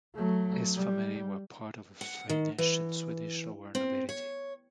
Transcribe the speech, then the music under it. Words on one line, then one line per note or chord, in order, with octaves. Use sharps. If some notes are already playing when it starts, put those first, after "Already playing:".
His family were part of the Finnish and Swedish lower nobility.
F#3 A3
G3
F#5
D#3
E3
C4
C#5